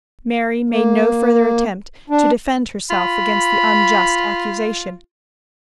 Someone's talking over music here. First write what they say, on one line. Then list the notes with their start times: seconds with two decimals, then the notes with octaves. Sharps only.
Mary made no further attempt to defend herself against the unjust accusation.
0.70 A#3
2.10 D4
2.90 F4 B5